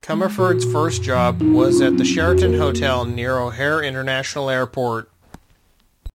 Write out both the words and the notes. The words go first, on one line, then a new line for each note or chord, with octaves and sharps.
Comerford's first job was at the Sheraton Hotel near O'Hare International Airport.
G#3
A#2 F#4
A#2
F#2
F3
A#2 D#4
F4
G#3
C#4
F#3 C4
F2
F#4
A#3 A#4
A#3
G#2